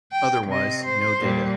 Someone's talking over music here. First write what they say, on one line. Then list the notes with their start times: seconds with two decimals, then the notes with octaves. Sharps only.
Otherwise, no data.
0.12 G5
0.48 C3 D#5
0.85 C5
1.20 A#2 G3